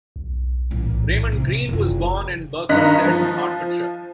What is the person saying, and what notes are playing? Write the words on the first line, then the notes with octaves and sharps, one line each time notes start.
Raymond Greene was born in Berkhamsted, Hertfordshire.
B1
A1 A#2
C3
F#1 C3 F4
G2 D#3 D#5 A#5 F#6 B6
F3